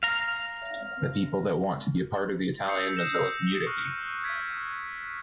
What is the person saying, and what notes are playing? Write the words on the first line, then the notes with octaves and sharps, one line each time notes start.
The people that want to be a part of the Italian Mozilla community.
F5 A#5
D#6 E6 G6 C7 C#7
E6 G6 A#6 E7
C#6 F6 F#6
G#6 B6 D7